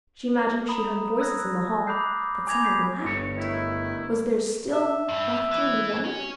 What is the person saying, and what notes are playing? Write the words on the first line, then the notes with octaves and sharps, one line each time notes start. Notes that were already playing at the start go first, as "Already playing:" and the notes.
She imagined she heard voices in the hall--that some one laughed--was there still laughter in the world?
A#5 B5 D#6
D#6 E6 F#6 G#6 A#6
B5 D6 D#6 F#6 G6 C7
G#5 B5 D6 G#6 A#6 F7
B5 D6 G6 G#6 B6 C7
G1 G2 C#5
D#3 A3 E4
E5
E2 G2
E3
C#4